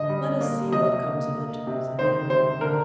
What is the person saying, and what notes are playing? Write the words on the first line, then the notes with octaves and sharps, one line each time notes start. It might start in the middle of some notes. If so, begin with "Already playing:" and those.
"Let us see what comes of it," said the Old Oak.
Already playing: D3 D#5
G3
A#3
C3 D#5
A#3
A#3
C3
D#3 C5
C3 C5
D3 A#4